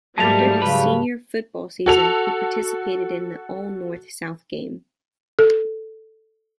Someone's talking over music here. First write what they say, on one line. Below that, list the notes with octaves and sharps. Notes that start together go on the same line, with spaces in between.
After his senior football season, he participated in the All North-South game.
G#2 F#3 G3 A3 A#3 A5 F7
C#3 F#3 B4
F#4 A4 F7
A4